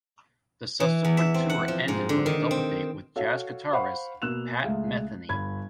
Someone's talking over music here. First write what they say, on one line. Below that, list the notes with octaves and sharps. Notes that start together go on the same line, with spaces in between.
The subsequent tour ended with a double date with Jazz guitarist Pat Metheny.
E3
E2
E5
C4
F#5
F3
G#2
D3
D#3
C4
F#4 A4 C#5 F5
C5 F5 F#5 B5 C#6
B2 A#3 E6 F#6 E7 F7
C#2 G#3 A3 F5
G1 B5 G#6